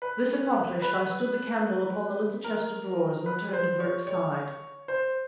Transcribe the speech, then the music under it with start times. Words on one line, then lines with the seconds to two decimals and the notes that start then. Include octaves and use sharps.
This accomplished, I stood the candle upon the little chest-of-drawers and returned to Burke's side.
0.02 B4
0.82 B4
2.44 A#4
3.26 B4
3.53 C5
3.80 C#5
4.07 C#5
4.88 C5